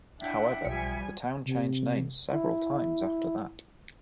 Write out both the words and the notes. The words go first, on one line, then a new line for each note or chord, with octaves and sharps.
However, the town changed name several times after that.
D4 E4 E5 F#5 G5
B1 F3 G3 G#5 B6 C#7
C3
E4